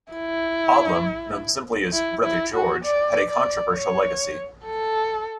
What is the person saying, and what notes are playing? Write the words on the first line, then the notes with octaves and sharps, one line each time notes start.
Odlum, known simply as "Brother George", had a controversial legacy.
E4
E4
E4
F#4
D5
D5
C#5
A4